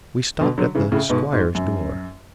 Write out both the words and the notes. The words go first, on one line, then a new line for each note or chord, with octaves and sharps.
We stopped at the 'squire's door.
B2 D3
D3 F#3
C#3 E3
A2 C#3
G#2 B2
G#2
F#2